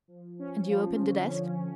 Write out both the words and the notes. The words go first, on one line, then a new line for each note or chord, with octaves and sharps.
"And you opened the desk?"
F3
C#4
F3
D3
D3